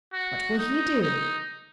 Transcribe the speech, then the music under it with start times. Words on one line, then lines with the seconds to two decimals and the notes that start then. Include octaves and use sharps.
"What will he do?"
0.13 F#4
0.58 D#4
1.02 D#4